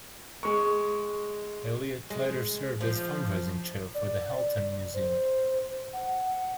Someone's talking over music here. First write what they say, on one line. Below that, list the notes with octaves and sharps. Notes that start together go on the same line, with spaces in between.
Elliot later served as fundraising chair for the Halton Museum.
G#3 C#6
G#3
F3
D5
C5
F#5